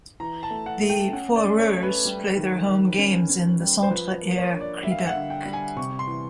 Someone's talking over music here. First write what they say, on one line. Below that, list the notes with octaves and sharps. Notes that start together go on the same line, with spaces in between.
The Foreurs play their home games in the Centre Air Creebec.
E3 A#5
A5
A3
F#5
A3
G5
C#4 F#5
D5
C#4
C#5
A3
B4
G3
D#3
D#3
C#4
C#4
G3
C5
F3 B4
A#3
C#5
D4
D5
G3 E5
F5
E5
F#5
D3
G5
G3
G#5
C3 C#6
C6
E3